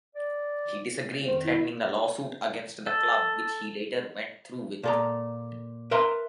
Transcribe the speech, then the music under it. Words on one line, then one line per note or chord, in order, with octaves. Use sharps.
He disagreed threatening a lawsuit against the club which he later went through with.
D5
F2 D#3 C5
E4
A4
A#2 A4 A#5
A#4 B4 E5 A#5 C6